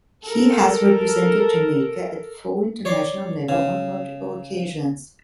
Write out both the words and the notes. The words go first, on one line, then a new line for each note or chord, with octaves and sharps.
He has represented Jamaica at full international level on multiple occasions.
A4 A#4
C#5 D5 C6 D6
C#3